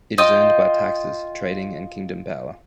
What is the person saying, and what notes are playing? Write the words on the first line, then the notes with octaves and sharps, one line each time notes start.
It is earned by taxes, trading and kingdom power.
F4 D#5 G5